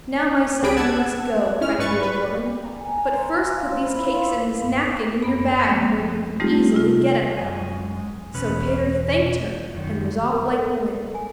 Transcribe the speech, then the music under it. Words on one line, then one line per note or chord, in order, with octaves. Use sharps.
'Now, my son, you must go,' cried the old woman 'but first put these cakes and this napkin in your bag, where you can easily get at them.' So Peter thanked her and was off like the wind.
C#2 D4 G4 G#4 B5 D7
F#5 A5 E6 G#6
C#4 E4 F6
G#2 B4 C#6 A6
B4
G5
A#5
G#5
A#5
C6
D5
F3
E6
B4
E4
F4
D5
G2
F#2 B3 B5
F3 G#3 A#3 C4
G3 A3 C4 D#4 F4 G4
C3 F4
F#2 G#3 G#5
E2 B2 C#4 B4
F#2 D#3
A#4
A4
G#5